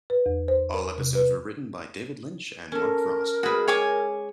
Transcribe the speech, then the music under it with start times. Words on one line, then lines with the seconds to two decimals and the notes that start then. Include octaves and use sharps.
All episodes were written by David Lynch and Mark Frost.
0.10 B4
0.26 E2
0.48 C5
0.74 A#4
0.98 C3
1.15 B4
2.72 C#4 A4 A#4
3.43 G#3 F#4 G#4 B4
3.68 C#5 G#5 D6